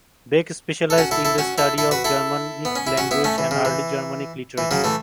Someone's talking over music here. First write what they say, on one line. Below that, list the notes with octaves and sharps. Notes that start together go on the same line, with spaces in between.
Beck specialized in the study of Germanic languages and early Germanic literature.
A4
C#4 F#4
E4 A4
E4 A4
C#4 F#4
E4 A4
E4 A4
F#4 B4
E4 A4
B3
C#4
E4
C#4 F#4
B3 E4
A3 C#4
E3
C#3
E3
E3
C#3 F#3
E3 A3